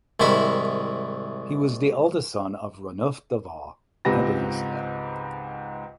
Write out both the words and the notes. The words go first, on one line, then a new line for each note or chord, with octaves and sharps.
He was the eldest son of Ranulf de Vaux and Alicia.
C2 G#2 D#3 E4 B5 C#6
C#2 G#2 C4 G4 B4 A#6